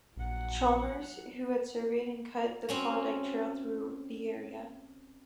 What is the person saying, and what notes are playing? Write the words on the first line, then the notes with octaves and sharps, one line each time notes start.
Chalmers, who had surveyed and cut the Klondike Trail through the area.
A#1 F#3 F#5
C4 C#4 F#4